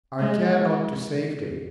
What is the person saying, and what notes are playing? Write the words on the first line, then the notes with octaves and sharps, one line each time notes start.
I care not to save thee.
G#3